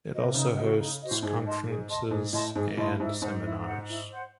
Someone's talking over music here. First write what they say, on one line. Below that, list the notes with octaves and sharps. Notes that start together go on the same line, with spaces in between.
It also hosts conferences and seminars.
F#4 C5 D#5
C3
C#3 D#4
F#4 C5 D#5
D#4
F#4 C5 D#5
A2
G#2 G#4
D#5 A5 C6
G#4
D#5 A5 C6
G#2 G#4
A2 D#5 A5 C6
G#2 G#4
A2 D#5 A5 C6
G#2 E4
G#2 C5 F#5
E4
C5 F#5
E4
C5 F#5